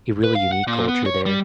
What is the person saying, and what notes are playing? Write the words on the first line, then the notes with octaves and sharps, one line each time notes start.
a really unique culture there.
B4
F5
F#5
A#2
B3
C#5
G3